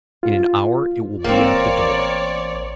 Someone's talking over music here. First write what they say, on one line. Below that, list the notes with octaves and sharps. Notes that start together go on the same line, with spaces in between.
"In an hour it will be at the door."
F4
A1 A#3 C4 C#5 D5